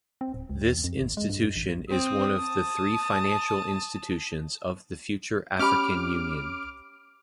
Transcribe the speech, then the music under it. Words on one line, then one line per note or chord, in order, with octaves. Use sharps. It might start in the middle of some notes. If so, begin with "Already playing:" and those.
This institution is one of the three financial institutions of the future African Union.
C4
D1
C#2
E2
F2
G#1
G#3
G2
G2
A1
C4 D#6
A5
C#4 G4 B5 D6 F6 D7